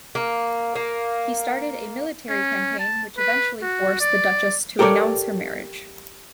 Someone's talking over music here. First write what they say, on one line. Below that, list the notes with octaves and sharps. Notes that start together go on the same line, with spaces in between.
He started a military campaign which eventually forced the duchess to renounce her marriage.
A#3
A#3
C#4
A5
B4
F#4
D5
G4 A4 A#4 C#5 D5